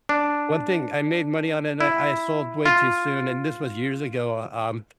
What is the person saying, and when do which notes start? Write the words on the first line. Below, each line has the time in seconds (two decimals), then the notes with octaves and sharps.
one thing I made money on, and I I sold way too soon, and this was years ago um,
0.09 D4
1.80 E4
2.66 F4